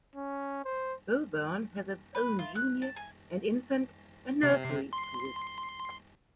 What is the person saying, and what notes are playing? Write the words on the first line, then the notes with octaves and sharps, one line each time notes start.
Bowburn has its own Junior and Infant and Nursery schools.
C#4
C5
B4
F4
F#6
A5
G#5
C3 C7
C6